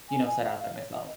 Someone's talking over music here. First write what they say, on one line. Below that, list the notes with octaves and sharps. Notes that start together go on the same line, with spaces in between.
you know, set out there myself.
G#5
G#5
F5
F5
C#5
D#5